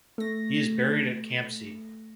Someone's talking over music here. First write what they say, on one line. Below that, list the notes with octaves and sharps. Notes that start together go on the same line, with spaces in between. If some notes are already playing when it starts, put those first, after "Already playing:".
He is buried at Campsie.
A3 A#6